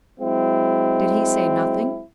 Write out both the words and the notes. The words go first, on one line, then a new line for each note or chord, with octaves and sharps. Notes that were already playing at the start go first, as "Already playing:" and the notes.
Did he say nothing?
F#3 G#3 C4 E4